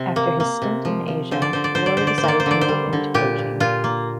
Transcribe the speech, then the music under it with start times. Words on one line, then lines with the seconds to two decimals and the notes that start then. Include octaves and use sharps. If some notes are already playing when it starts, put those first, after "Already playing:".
After his stint in Asia, Laurie decided to move into coaching.
Already playing: C3
0.16 A#3
0.40 A#3
0.62 C3
0.85 F3
1.08 F3
1.31 D3 C5
1.42 D5
1.53 D3 C5
1.64 D5
1.75 D3 C5
1.86 D5
1.97 D3 C5
2.07 D5
2.18 C5
2.23 A#3 D5
2.40 C5
2.46 D3 D5
2.61 C5
2.68 G3
2.93 D3
3.14 A#2 G4
3.39 A#2
3.60 A#2 F4
3.84 A#3